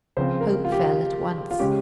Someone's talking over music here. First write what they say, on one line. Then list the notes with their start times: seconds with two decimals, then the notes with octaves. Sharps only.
Hope fell at once.
0.17 C#3 F3 C4 C5
0.41 A#4
0.65 F4
0.72 G4
0.79 F4
1.51 F4
1.59 C#3 G#3 C#4 G4